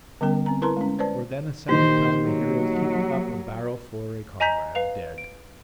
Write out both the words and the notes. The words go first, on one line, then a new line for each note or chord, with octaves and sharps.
For then a second time the heroes heaped up a barrow for a comrade dead.
D3 G3 B3 C#4 A#4 G5
C4 A#5
E4 A#4 B4 A5 A#5 C6
G#3 C#4
B4 C5 D5 A5
A#2 D#3 A#3 G4 C5
F#3
D#5 G#5 A#5 G6 B6
B4 F5 C7 F7
D7